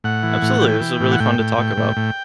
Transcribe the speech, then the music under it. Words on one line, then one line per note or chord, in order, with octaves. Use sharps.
Absolutely, this was really fun to talk about.
A2 F#5
E3
A2
E3 G5
E3
A2
F#5
A2 G5
A2
A2
A2
A2